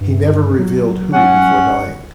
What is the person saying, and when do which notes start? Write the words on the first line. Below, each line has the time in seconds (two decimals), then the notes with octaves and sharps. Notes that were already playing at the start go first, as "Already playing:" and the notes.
He never revealed who before dying.
0.01 G2
0.59 F#3
1.14 C#4 F#5